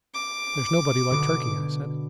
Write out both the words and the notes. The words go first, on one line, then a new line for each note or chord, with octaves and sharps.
"There's nobody like Turkey," I said.
D6
B2 D3